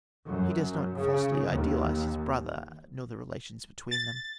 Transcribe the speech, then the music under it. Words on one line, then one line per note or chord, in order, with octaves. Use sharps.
He does not falsely idealise his brother, nor the relations between them.
F#2
C#3
D#2
A6